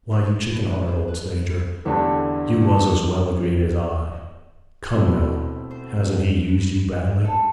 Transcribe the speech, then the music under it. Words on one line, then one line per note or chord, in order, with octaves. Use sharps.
Why, you chicken-hearted old stager, you was as well agreed as I. Come now; hasn't he used you badly?'
G3
B4
B4
C5
B4
E2 D3 A3 D4 G4 A4
A4
B2 A3 C4 E4 A4
C5
B4
A4